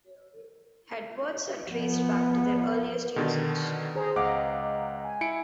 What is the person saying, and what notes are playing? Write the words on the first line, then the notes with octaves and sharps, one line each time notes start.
Headwords are traced back to their earliest usage.
F3 B3
B2 D3 D#3
G#4 C5 A#5
C#2 D#5 F5 F#5 A#5 D6
G#5
E4 C#7 D7